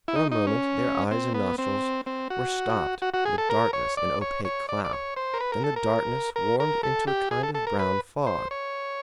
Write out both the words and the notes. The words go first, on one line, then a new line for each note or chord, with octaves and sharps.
For a moment their eyes and nostrils were stopped with darkness and opaque cloud; then the darkness warmed into a kind of brown fog.
E4
D#4
D#4
C#4
C4
B3
C4
C4
F#4
F#4
F#4
G#4
A4
A#4
C#5
D5
C#5
C#5
D5
D5
C#5
C5
A#4
B4
A#4
A4
A#4
A#4
A#4
A4
G4
G#4
A4
A4
A#4
B4
C5
C#5